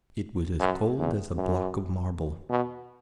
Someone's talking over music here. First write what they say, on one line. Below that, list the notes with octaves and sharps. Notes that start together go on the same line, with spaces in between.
It was as cold as a block of marble.
F#2
E2
F#2
B2